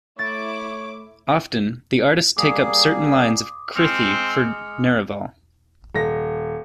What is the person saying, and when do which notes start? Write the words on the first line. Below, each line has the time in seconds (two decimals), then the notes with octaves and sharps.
Often, the artists take up certain lines of a Krithi for "neraval".
0.19 A3 E4 C#5 D6 A6
2.37 G3 A#3 G#4 D6 D#6
3.76 G#3 C4 F6 C#7 F7
5.95 D#1 A#6